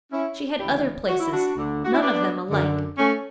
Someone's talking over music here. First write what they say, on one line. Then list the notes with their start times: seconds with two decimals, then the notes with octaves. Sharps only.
She had other places, none of them alike.
0.11 C#4 E4
0.60 D2 C#3 E3 E4 G4
1.08 F#4
1.20 E4
1.32 D4 F#4
1.54 D2 D3
1.84 F#4
1.94 E4
2.02 B3 D4
2.49 F#2 D3
2.98 A3 C#4